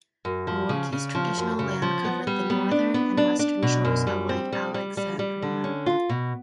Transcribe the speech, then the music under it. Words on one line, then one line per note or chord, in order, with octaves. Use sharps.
The Warki's traditional land covered the northern and western shores of Lake Alexandrina.
F#2
F3
C#3
C#3
F3
F#2
C#3
F3
B3
G3
B3
D4
B3
D4
D4
B2
F#2
G3
C4
G3
G3
G3
G3
D3
C#4
F4
B2